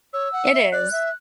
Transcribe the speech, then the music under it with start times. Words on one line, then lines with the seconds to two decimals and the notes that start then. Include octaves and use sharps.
it is.
0.13 C#5 E6
0.33 F#5
0.53 E5
0.72 D5 F#6
0.92 E5